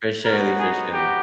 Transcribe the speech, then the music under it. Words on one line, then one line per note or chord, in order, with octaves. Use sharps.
for surely, for surely.
B3 D#4 F#4 A#4
G#4
G4